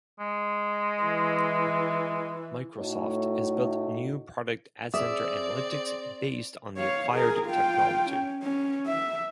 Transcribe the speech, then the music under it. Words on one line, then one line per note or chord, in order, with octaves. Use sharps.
Microsoft has built new product AdCenter Analytics based on the acquired technology.
G#3
E3
A2 A3 D#4 F#4 C#5
C4 G#4 D5 E5 D6 D#6
C#5 F5
G#4 A#4
F4 G5
C#4
C#4
E5